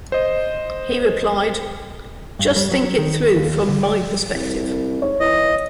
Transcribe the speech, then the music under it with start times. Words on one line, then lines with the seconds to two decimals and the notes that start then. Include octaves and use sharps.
He replied: Just think it through from my perspective.
0.12 C5 D#5
2.39 G2
2.56 G3
2.71 F#3
2.98 D#3
3.36 D#2
3.68 D3
3.83 D5
4.34 C2
5.02 G#2 C#5
5.20 E3 D#5